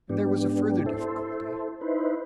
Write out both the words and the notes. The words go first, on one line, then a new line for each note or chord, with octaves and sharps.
And there was a further difficulty.
G#2 B3 D4 G4
E4 A4 C5
D#4 E4 B4 C5